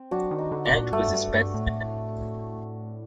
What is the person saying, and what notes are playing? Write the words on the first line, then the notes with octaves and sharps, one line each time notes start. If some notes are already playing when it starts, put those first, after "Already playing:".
Ant was his best man.
Already playing: C4
F#3 D4 F#4
D#3
D#4
D3
D4 F#4
A#2
G2 A3
F#2
G2
G2
A2